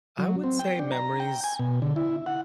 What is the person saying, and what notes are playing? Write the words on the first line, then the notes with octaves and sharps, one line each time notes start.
I would say memories
F#3
C4
G5
D4
A#5
G5
G#5
B2
D3
E4
F#5